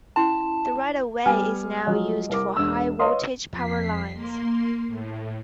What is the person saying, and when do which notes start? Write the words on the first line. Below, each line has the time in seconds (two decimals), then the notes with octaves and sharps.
The right-of-way is now used for high-voltage power lines.
0.16 C#4 E4 A5 C6
1.26 G3 B3 G#5 F6
1.87 F3 F#3 G#3
2.29 C2 A#4 D6
2.57 E1 D4 E6
2.99 B4 C#5 D#5 F5 C6 D#6
3.51 F2 B6 C7
4.13 A#3 C6
4.87 A2